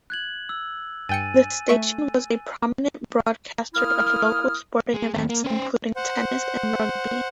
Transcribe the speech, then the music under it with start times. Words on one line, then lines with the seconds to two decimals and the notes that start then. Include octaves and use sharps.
The station was a prominent broadcaster of local sporting events including Tennis and Rugby.
0.10 F#6 G#6 F#7
0.49 E6
1.09 G2 G5 G#5 A6 C#7 D#7
1.69 A3 E5 C#6
3.74 A#3 E4 D#6 F6
4.94 G#3
5.14 D#2 C4
5.30 A#3
5.45 C#4 C5
5.96 C5 F#5